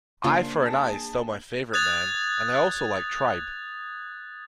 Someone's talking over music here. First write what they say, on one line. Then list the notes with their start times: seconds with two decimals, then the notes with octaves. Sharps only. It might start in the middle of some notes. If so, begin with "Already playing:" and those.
Eye For an Eye is still my favourite, man, and I also like Tribe.
0.24 C#3 A#3 D4 F4 C5
0.62 G#4 A5
1.73 D#6 F#6 G#6 A6 F7